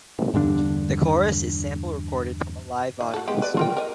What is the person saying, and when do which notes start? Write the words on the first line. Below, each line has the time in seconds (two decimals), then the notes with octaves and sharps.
The chorus is sample recorded from a live audience.
0.34 E2 G2 D3 D4
3.01 D#3
3.14 F#4 A4
3.28 G#3 B3 G4
3.42 B4 D5
3.57 F4 A#4 G5
3.77 A#4 D5 D#5